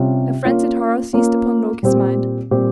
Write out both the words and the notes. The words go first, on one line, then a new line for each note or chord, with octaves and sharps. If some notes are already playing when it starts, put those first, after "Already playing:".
A frenzied horror seized upon Loki's mind.
Already playing: C3 G3 C#4 F4
A#3 C#4 F4
A#3 C#4 F4
A#2 G3 C4 G4
A#2 G3 C4 G4